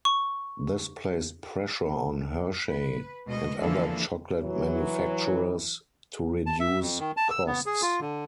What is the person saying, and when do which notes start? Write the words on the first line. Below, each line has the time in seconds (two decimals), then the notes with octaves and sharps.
This placed pressure on Hershey and other chocolate manufacturers to reduce costs.
0.05 C#6
2.68 B4
3.26 D2 B2 G#3 F#4 D#5
3.58 D3 E3 F3 A#3 D4 A4
4.40 E3 F#3
6.46 A5
6.60 E5
6.81 F2
7.00 D#3
7.17 A5
7.31 E6
7.46 B3
7.66 G#4
7.82 F4
8.00 D3